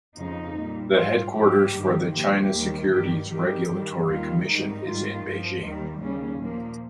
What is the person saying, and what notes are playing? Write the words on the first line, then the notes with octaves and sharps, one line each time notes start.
The headquarters for the China Securities Regulatory Commission is in Beijing.
F2 C#3 F3 D#4
A#2 G3
G#2 G3 F4
G#2 F3 G4
G2 D#3 G3
A#2 F3 G4
D#2 D#3 G3
G2 D#3 G3 G4
G#2 D#3 G3 G4
G2 D#3 G3
D#2 D#3 G3 F4
G#2 D#3 G3 D#4
G#2 D#3 G3 F4
G2 F3
D#2 D#3 G3
D#2 C#3 G3 C#4
A#2 F3 A#3